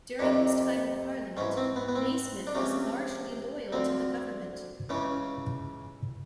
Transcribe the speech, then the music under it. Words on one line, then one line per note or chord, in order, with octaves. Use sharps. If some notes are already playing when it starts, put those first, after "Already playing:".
During his time in Parliament, Naysmith was largely loyal to the government.
F2 C3 D#3 D4
G#2 E3 C#4
C4
B3
B3
C4
D4
C#2 C3 F3 C#4
D2 D3 F3 C4
C#2 C#3 E3 C#4